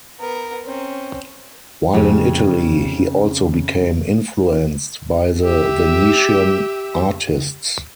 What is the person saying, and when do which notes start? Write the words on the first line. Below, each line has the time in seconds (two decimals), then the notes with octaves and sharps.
While in Italy he also became influenced by the Venetian artists.
0.20 B3 A#4
0.65 C4 C#4
1.93 F2 C#3 G4
5.44 G4 E5